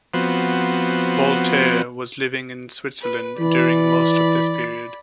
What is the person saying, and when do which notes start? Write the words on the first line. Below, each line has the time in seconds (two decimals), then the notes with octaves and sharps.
Voltaire was living in Switzerland during most of this period.
0.14 F3 B3 C4 F#4
3.02 B4
3.40 E3 D5 B5